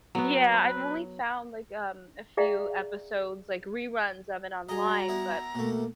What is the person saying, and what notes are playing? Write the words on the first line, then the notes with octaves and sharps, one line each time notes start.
Yeah, I've only found, like, um, a few episodes, like reruns of it online, but
F#3 B3
B4
G#4 D5 E5 F5 G5 A#5
G3 F#4 G#4 D#5 A#5
B3 E4
B2 A3 A#3